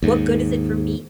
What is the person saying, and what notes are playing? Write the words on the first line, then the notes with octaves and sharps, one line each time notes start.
What good is it for me?
D#2 G#2